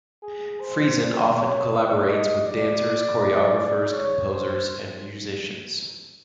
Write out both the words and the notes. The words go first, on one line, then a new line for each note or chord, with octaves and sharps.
Friesen often collaborates with dancers, choreographers, composers and musicians.
G#4
C5
D5
C#5
D5
D#5
D5
D5
C#5
C5